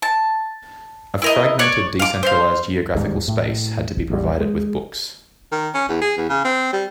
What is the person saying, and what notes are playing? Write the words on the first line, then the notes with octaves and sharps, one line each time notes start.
A fragmented decentralised geographical space had to be provided with books.
A5
E4 A#4 D#5
C#5 D5 F#6
F5 D6
C5 F5
D1 D#2 G#2 G3
A2
A1 G3
G#3
D#3
C#4
E2
G#4
E2
C#3
C4
G3